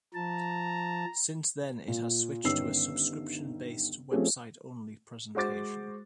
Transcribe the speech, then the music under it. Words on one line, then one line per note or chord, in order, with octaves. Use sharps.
Since then it has switched to a subscription-based website only presentation.
F3 A5 A#5
A#2
G1 G2 D#3 C#4 E6 C7
F3 A3 C4 C#4 G4 G#4
G#3 F#4 C5 D6 A6